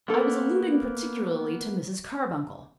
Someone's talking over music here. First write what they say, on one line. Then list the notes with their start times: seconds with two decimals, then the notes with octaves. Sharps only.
"I was alluding particularly to Mrs. Carbuncle."
0.08 A#3 B3 A4 A#4